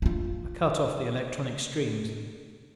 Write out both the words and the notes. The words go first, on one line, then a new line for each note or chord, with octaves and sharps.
I cut off the electronic streams.
D#4 F4